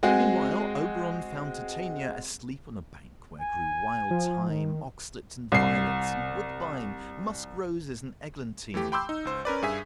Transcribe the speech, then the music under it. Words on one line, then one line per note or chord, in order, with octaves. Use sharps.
Meanwhile Oberon found Titania asleep on a bank where grew wild thyme, oxlips, and violets, and woodbine, musk-roses and eglantine.
G#3 C4 F#4 G#4
G#5
F3
D#3
C2 C7
E3 A3 G4
G5 B5 C6 D6 E6 G6
D#4
C#2 C5
C#4 A#4 B4 D5
G2 G#4 E5 G#5 B6